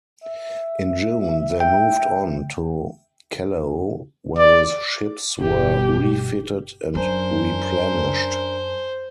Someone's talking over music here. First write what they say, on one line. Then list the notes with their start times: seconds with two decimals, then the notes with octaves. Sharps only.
In June, they moved on to Callao, where the ships were refitted and replenished.
0.24 E5
1.60 G5
4.38 D5
5.40 G1 B2 G4
6.95 F#2 C#4 D4 A#4 C5